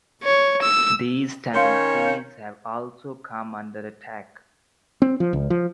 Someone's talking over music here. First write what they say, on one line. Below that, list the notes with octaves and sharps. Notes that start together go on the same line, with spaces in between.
These tendencies have also come under attack.
C#5
E6
D#3 C#4 C#5 F5 C6 G6
C4
F3
C#2
F3